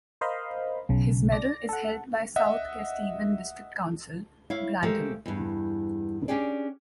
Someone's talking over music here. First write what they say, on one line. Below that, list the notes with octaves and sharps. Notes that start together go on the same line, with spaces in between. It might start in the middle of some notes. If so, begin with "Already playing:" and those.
His medal is held by South Kesteven District Council, Grantham.
A#4 C5 D#5 F5 B5 C6
B1 C#3
D5 A#6
A4 F#5
D#5 E5 F#5
E4 C#5 F5
G#3 A3 G4 A#4 C5 F5
E2 G2
C#4 D4 G4 G#4 D5